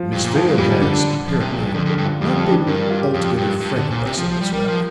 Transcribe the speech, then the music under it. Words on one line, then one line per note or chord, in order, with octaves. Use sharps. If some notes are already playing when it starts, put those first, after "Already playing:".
"Miss Vale has, apparently, not been altogether frank with us in this matter."
Already playing: F3
G2
A#2
F2 F3
G2
A#2 G3
D3
D3 D4
F3
C3
A#2
G2
F2 D3
F2
D3
G2
F3
F2 G3
C4
D4
G2 A#4
G4
F4
G4
F2
G2
G2
D3
A#2
C3
F3
F3
G3
G3 A#4
F3